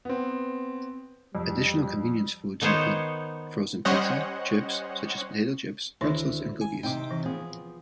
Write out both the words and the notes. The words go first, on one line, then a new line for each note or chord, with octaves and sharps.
Additional convenience foods include frozen pizza, chips such as potato chips, pretzels, and cookies.
B3 C4
F2 G3
D#3 B3 D#4 C5 C#5
G3 C#4 C5 C#5 D#5 F#5
D2 D#3 E4 C#5 C#6
G#5
C3 C4 D#4 G5 D6
E3
F3 B3 G#4